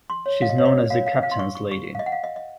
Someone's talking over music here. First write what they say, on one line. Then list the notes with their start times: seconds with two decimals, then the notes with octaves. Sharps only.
She is known as the Captain's Lady.
0.10 C6
0.26 C#5
0.42 F5
0.49 D#5
0.58 C#5
0.66 D#5
0.90 F#4 A#4 C#5 F5
1.07 F5
1.23 F5
1.31 C6
1.39 C#6
1.55 C#6
1.71 C#6
1.95 F5
1.99 D#5
2.06 F#5
2.12 F5
2.24 D#5
2.36 D#5